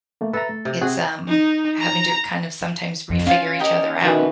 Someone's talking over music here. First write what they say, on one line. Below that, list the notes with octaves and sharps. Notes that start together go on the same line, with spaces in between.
it's, um, having to kind of sometimes refigure each other out
A3 A#3
A4 B4 E5 A#5
A3
C3
C4 F#4 G#4 F#6
D#4
A#5
F2
C#4 F4 F5
G4 A#4 D#5
B2 D#3 E3 F#5 C#6